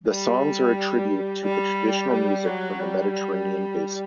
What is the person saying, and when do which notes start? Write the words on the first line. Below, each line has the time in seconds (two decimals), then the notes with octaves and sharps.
The songs are a tribute to the traditional music from the Mediterranean basin.
0.09 G3
1.44 G3
2.11 G3
2.45 F#3
2.80 G3